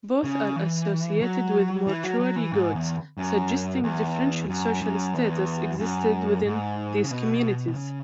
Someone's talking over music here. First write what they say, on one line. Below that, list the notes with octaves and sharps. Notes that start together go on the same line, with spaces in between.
Both are associated with mortuary goods, suggesting differential social status existed within these communities.
C#3
E3
F#3
E3
F#3
F#3
E3
G#2
E2
F#2
E2
F#2
F#2
E2
F#2
G#2
C#3
B2
B2
C#3